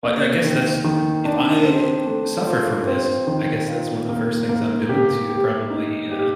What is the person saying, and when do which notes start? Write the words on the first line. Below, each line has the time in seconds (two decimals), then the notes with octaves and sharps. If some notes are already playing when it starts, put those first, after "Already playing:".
I I guess that's if I suffer from this, I guess that's one of the first things I'm doing to probably, uh,
0.03 A#3
0.44 D#3
0.84 D#3
1.25 D4
1.65 C4
2.06 A3
2.47 F4
2.87 C4
3.27 D#3
3.68 F4
4.09 A#3
4.49 A#3
4.89 G4
5.30 G4
5.70 D#4
6.11 G4